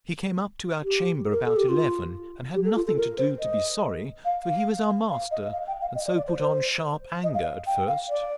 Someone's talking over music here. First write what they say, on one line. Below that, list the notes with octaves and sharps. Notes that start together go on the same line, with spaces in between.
He came up to our chamber about eleven, and had nothing to do to be sorry; for he was our master, and so put on sharp anger at first.
G4
A#4
A4
G4
F4
G4
A4
F4
A4
A#4
C5
D#5
F5
F5
F5
D#5
F5
G5
F5
D#5
D5
D5
C5
C5
D#5
F5
G5
F5
D5